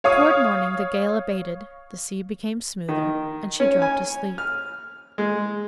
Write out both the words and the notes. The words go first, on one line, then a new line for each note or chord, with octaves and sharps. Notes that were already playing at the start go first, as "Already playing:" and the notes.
Toward morning the gale abated, the sea became smoother, and she dropped asleep.
C#5 F5 C#6 D#6
D#3
C#4
G#5
F6
G#3